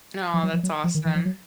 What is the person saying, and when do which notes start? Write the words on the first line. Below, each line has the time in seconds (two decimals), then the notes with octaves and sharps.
Aw, that's awesome.
0.34 F3
0.43 F#3
0.53 F3
0.63 F#3
0.84 F3
0.95 D#3
1.05 E3
1.15 F3
1.25 F#3